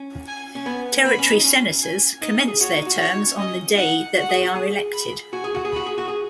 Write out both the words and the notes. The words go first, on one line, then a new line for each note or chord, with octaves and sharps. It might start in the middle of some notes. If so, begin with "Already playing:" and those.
Territory senators commence their terms on the day that they are elected.
Already playing: C#4
G#5
C#4
B3 G#5
B3 B5
C#4
D#4
C#4
G#5
D#4 D#5
D#4
G#4
F#4 C#5
D#4
F#4
F#4 C#5
D#4
C#4
C#4 D#5
D#4 F#5
F#4 F#5
G#4
F#4
G#4
B5
F#4 G#5
G#4
F#4
G#4
F#4 B5
G#4
F#4
G#4